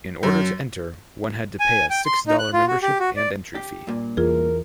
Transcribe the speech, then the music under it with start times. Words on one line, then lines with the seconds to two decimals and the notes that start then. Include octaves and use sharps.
In order to enter, one had to pay a six-dollar membership and entry fee.
0.23 F#2
1.60 G#5
1.90 G5
2.05 C6
2.27 D#4
2.39 F#6
2.53 F4
2.68 F#4
2.82 G4
3.00 F#4
3.16 D5
3.55 G4
3.87 G2 A#2
4.17 E2 F4 G#4 A#4